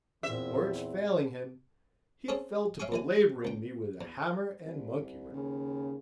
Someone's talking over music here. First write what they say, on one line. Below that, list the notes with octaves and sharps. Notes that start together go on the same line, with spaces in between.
Words failing him, he fell to belaboring me with a hammer and monkey-wrench.
E2 A#2 C4 E5
C4 C#4 G#4 C#5 A5
C#5 E5 F5 G5 G#5 C#6
D#2 E3 G#5
C#2 G5
E2
C2
D#2 C#3